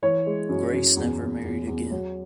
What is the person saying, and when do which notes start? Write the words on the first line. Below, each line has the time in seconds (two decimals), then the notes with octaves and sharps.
Grace never married again.
0.02 E3 C#5
0.26 G#3
0.49 F#2
0.73 F#2
0.97 E2
1.20 E2
1.44 E2
1.68 E2
1.91 F#3